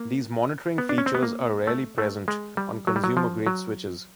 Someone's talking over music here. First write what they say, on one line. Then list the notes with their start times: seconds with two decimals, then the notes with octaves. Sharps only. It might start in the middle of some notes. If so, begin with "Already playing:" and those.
These monitoring features are rarely present on consumer-grade switches.
Already playing: A#3
0.78 B3
0.89 D4
0.98 C#4
1.06 C4
1.15 B3
1.23 A#3
1.67 A3
1.98 A3
2.28 G#3
2.57 G3
2.87 F#3
2.96 G3
3.04 F#3
3.17 F3
3.46 F#3